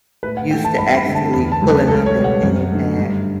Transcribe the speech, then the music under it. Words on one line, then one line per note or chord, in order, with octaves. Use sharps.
used to actually pulling out that pen and pad.
A2 B4
F#5
E3 A3 G5
A5
G2 B5
B5
D3 A3
A5
E2 B5
A5
C#3 F#3 A3
B4
C#2 A4
C#5
B2 G3
F#5
F#2
D3 A3
G2